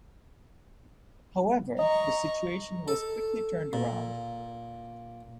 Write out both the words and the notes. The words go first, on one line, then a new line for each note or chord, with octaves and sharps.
However, the situation was quickly turned around.
D#5 A#5 C#6
A4
A#2